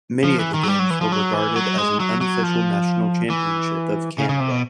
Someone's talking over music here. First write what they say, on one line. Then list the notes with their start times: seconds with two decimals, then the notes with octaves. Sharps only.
Many of the games were regarded as an unofficial national championship of Canada.
0.24 F3
0.39 E3
0.54 D#3
0.63 F#3
0.68 G3
0.79 F#3
0.90 E3
1.01 F3
1.12 F#3
1.34 E3
1.56 F#3
1.78 G#3
2.00 F#3
2.21 F#3
2.43 F3
3.30 E3
4.18 C#3
4.29 C#3
4.40 C3
4.51 B2